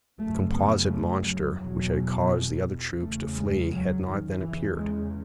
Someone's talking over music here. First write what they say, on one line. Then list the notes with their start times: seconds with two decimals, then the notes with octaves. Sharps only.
The composite monster which had caused the other troops to flee had not then appeared.
0.18 F#2 C#3 A3
0.54 B3
0.89 A3
1.24 F#3
1.59 E2 B2 F#3
3.00 E2 C#3 A3
3.35 G#3
3.71 F#3
4.06 D#3
4.41 E2 C#3 E3
4.76 G#3